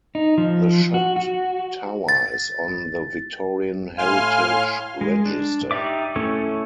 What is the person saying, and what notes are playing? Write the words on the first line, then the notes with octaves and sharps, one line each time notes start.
The shot tower is on the Victorian Heritage Register.
D#4
F3
F#4
F#4
A6
A2 F5 G#5 C6 F6
G#3
D4
D#4 G4 D5 E5 D6
A3 C#4 E4 A4 C#5